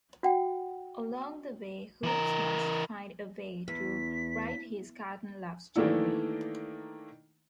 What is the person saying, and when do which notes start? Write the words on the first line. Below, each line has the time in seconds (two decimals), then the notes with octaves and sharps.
Along the way, Hoops must find a way to write his cartoon love story.
0.23 F#4 F#5 G5
2.03 E3 A#4
3.68 E2 B6
5.76 D#3 E3 A3 A#3 D4 E4